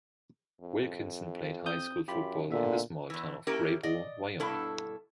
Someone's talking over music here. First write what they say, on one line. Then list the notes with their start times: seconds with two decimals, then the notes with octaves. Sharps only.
Wilkinson played high school football in the small town of Greybull, Wyoming.
0.61 F2
1.66 C4 D#6 G6
2.08 F#2 F4 G4 B5
2.51 A#2 D3 B3 E5
3.10 E2 E3
3.47 A#3 C#4 E4 G4 A#4
3.83 D5 D#5
4.40 G2 B2 E4 A4